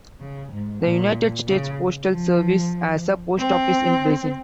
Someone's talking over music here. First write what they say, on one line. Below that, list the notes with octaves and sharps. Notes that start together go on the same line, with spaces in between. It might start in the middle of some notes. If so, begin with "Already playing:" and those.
The United States Postal Service has a post office in Basin.
C#3
G#2
A#2
C#3
F3
C4